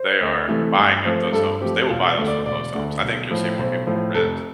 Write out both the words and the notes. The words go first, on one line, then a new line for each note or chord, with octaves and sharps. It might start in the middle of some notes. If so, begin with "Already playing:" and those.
they are buying up those homes, they will buy those foreclosed homes, I think you'll see more people rent,
Already playing: C5
D2
C3 E3 A3
G2
F3 A3 C4
G2 A4
F3 A3 C4 G4
E1 F4
D5
D2 D3 A3
D5
E1 D5
D2 D3 A3
B1
A2 F3
B1 C5
A2 F3
F1 A4